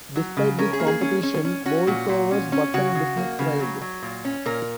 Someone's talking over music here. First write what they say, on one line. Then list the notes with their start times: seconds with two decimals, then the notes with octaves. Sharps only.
Despite this competition, Boulsover's button business thrived.
0.16 F#3
0.37 C#3
0.58 C#4 A#4
0.73 G#4
0.80 A#3
0.87 G#4
1.01 C#4
1.23 C#4
1.45 C#4
1.66 C#4 F#4
1.87 A#2 F#4
2.09 A#2
2.31 C#4
2.52 C#4
2.74 C#3 F#4
2.95 C#3
3.17 A#3
3.39 C#3
3.60 F#3
3.81 F#3
4.02 A#2
4.25 C#4
4.45 A#2 A#4